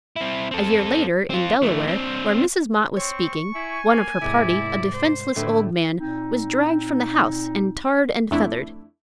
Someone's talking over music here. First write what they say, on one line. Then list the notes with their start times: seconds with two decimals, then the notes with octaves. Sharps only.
A year later, in Delaware, where Mrs. Mott was speaking, one of her party, a defenceless old man, was dragged from the house, and tarred and feathered.
0.16 C4 E4
0.51 C4 A4
1.30 C4 F4
1.62 E3 A3
1.87 C4 D4
2.97 C4 C#5 C#6
3.55 E4 G#5
3.89 A#3
4.21 C2 G#2 E4 D5
4.93 C5
5.36 A2 D3 A3 E4
6.00 A#2 C4 D#4
8.31 F2 A3 D4 E4